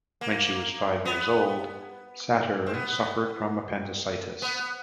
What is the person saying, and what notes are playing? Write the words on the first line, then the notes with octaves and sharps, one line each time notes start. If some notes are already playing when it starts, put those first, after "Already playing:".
When she was five years old, Satir suffered from appendicitis.
A#3
B3
C4
B3
B3